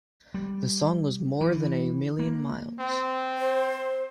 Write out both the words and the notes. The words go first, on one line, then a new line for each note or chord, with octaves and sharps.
The song was "More than a Million Miles".
G3
E3
A#3
C4
C5